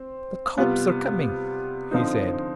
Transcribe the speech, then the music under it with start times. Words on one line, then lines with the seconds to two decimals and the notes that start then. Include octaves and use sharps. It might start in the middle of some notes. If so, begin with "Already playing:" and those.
'The cobs are coming!' he said.
Already playing: C4
0.58 C3 G3 B3 F4
1.91 D3 F3 C4 D#4